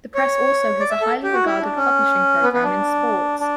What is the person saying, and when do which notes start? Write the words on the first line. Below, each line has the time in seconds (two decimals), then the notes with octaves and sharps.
The press also has a highly regarded publishing program in sports.
0.15 C#5
0.80 D5
0.90 E5
1.01 A4
1.24 G4
1.33 F#4
1.45 E4
1.62 D4
1.77 C#4
2.42 B3
2.52 B3
2.64 D4
3.40 D4